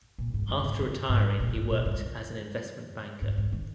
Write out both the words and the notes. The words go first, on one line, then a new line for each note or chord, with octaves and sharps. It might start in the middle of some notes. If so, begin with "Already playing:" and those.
After retiring he worked as an investment banker.
A#2
G#2
F#2
G#2
F#2
G#2
A#2
G#2
A#2
G#2
F#2
G#2
G#2
D#3